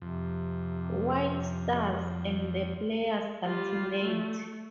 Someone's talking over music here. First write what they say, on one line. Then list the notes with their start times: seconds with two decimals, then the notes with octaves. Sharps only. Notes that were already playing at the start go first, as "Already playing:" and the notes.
White starts, and the players alternate.
0.02 F2 C3
3.44 G3 F4
4.03 A3